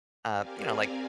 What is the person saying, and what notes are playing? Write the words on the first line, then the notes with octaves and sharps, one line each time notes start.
uh, you know, like
C4 G4 A#4 D5 F5 G#5